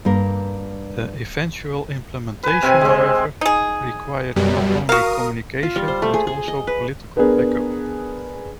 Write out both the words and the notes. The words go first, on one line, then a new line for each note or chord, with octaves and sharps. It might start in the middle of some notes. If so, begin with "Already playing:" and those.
The eventual implementation, however, required not only communication, but also political backup.
G2 A#3 A#4
B4 G#5
C3 C4 G#5
G#3 C4
D#4 G#4
F#2 B2 G3
F#4 A#4 F5 D#6
F4
G3
C5
A3
G#4
G#4
D#5
B4
B3 D4 G#4 A#4